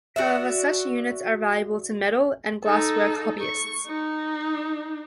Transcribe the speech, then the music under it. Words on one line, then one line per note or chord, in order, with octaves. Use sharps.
However, such units are valuable to metal and glasswork hobbyists.
F#4 D5 E5
D#4 A4
C#6
D#4